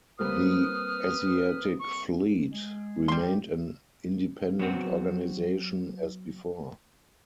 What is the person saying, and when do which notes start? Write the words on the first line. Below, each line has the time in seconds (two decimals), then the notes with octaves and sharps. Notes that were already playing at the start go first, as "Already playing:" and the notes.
The Asiatic Fleet remained an independent organization as before.
0.19 G3 A#3 C4 B4 D#6 F6
1.80 C#6
2.52 G#3
3.08 G3 C6
3.23 G4
4.59 F#3 B3 C4 F#4